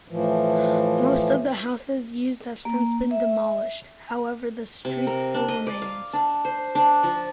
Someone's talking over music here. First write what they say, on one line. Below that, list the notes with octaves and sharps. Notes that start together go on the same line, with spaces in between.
Most of the houses used have since been demolished, however the street still remains.
A2 E3 F3
A#3
E5
C3
A#4
D4
D#5
D5
F5
D4
C5
D4
F3